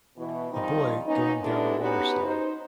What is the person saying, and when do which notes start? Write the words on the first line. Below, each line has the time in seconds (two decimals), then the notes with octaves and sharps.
A boy going down a water slide.
0.17 B2 E3
0.51 D#3 F3 G3 C4 D#4
1.06 A#3 B3 C#4 D#4
1.42 G#3 B3 D4 E4 G4 A4
1.79 B3 C#4 D#4 F#4 G4 B4
2.22 D#4 C5